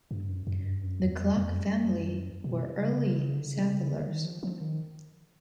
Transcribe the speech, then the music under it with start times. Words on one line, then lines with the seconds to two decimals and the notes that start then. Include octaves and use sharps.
The Klock family were early settlers.
0.11 G2
0.28 F#2
0.47 F#2
0.64 G2
0.83 F#2
1.01 E2
1.18 F2
1.36 F2
1.54 F#2
2.44 B2
2.63 C3
2.81 C#3
3.35 D3
3.46 C#3
3.59 C3
3.70 C#3
3.89 D3
4.07 D#3
4.25 F3
4.43 F3
4.61 D#3